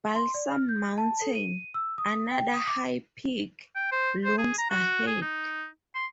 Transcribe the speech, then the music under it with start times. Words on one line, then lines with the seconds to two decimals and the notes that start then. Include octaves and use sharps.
Balsam Mountain, another High Peak, looms ahead.
0.15 C6
0.34 D5
0.52 F6
0.69 G6
0.98 A5
1.22 A4
1.35 D#7
1.74 E6
1.98 D#6
2.31 G5
2.54 D#6
2.67 D6
3.75 G5
3.92 C5
4.25 C5
4.38 G#4
4.58 A#5
4.70 F#4
5.07 G#4
5.22 D#4
5.95 C6